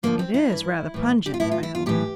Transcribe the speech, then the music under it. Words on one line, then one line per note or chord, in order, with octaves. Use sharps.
"It is rather pungent," I owned.
F2 D3 F3 A#3
C4
E4
G2 E3
A2 E3
G4
F4
A2 E3 E4
F4
E4
F4
A2 E3 G4